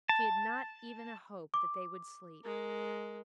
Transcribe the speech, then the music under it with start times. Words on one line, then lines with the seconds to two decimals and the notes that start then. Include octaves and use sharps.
She had not even a hope that they would sleep.
0.09 A5
1.54 D6
2.44 G#3 A#4